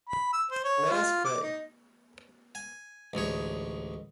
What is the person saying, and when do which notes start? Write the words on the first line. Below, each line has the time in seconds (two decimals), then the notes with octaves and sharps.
Priest: Let us pray.
0.09 B5
0.33 E6
0.51 C5
0.64 C#5
0.91 F4
1.25 D6
1.42 D#4
2.55 G#5
3.13 A1 D2 G#3 C#5